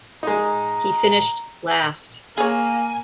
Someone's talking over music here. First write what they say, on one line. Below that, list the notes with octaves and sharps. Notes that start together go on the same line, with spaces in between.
He finished last.
G#3 D#4 A#5
A#3 G#4 C#5 G#5